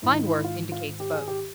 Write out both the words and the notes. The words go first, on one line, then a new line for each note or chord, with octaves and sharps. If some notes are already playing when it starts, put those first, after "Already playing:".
Klindworth indicates both.
G#2 D#3 E4
D#4
E4
F4
F4
G4
G#4
G4